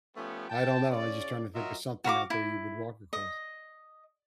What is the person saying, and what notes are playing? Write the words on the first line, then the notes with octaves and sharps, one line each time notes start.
I don't know, I was just trying to think of something out there you would walk across.
F3 A3 B3 C#4 G4
G5 A5
C#3 C#4 D5
F#3 F4 A#4 D#5 E5
F#4 F5 B5 D6
E4
D#5